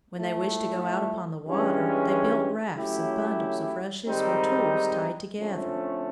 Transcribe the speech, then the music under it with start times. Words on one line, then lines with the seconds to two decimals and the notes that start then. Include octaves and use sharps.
When they wished to go out upon the water they built rafts of bundles of rushes or tules tied together.
0.17 A2 F3 A3
1.47 G2 E3 G#3 C#4
2.77 F#3 A3 C#4 E4 G4
4.07 G#2 D#3 G3 C4 D#4
5.38 F2 D3 F3 A3 C#4